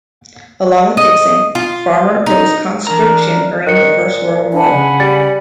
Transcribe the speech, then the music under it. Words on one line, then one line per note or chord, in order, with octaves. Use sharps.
Along with Dixon, Farmer opposed conscription during the First World War.
D#5
F4
D#4
E3 D4 A#4 A#5
D#3 F#6 C#7
A#2
D4 F#5 G#5 B5
C#3
G3 A6